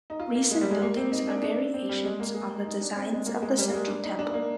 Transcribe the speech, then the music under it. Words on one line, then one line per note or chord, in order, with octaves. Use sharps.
Recent buildings are variations on the designs of the Central Temple.
D#4
F4
A#3
G#3
G3
G#3
A#3
C4
D#4
D4
D4
C4
G3
G#3
A#3
G#4
D#4
D4
C4
G#3
A#3
G#3
G3
A#3
G#3
D4
D#4
D4
A#3